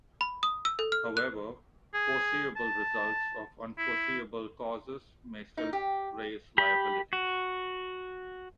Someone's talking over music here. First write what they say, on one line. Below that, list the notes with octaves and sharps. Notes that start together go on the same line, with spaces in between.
However, foreseeable results of unforeseeable causes may still raise liability.
B5
D#6
E6
A4
F6
F#6
G#4
A5
E4
D#4
G4
G4 B5
F#4